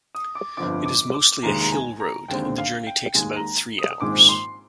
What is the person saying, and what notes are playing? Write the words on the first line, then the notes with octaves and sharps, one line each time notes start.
It is mostly a hill road and the journey takes about three hours.
D#6
D6
G1 F2 D3 F3 D6
D6
D6
F1 D#2 D#3 G#3 A#5
A#5
G#5
A#5
D#2 D3 G#3 C4 G5
F5
G5
D#2 D#3 G#3 G#5
A#5
D#6
A#1 G#2 D#3 G#3 C4 D6
C6